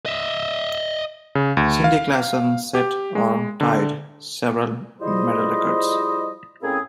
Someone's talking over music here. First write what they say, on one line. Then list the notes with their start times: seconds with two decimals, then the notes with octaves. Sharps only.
Cindy Klassen set or tied several medal records.
0.06 D#5 E5
1.35 C#3
1.57 D2
1.84 F5
2.75 G4
3.15 G#3
3.61 D3
5.00 F3 G3 E4 G#4 C5 D#5
6.62 A2 A#3 C4 C#4 E4 G#4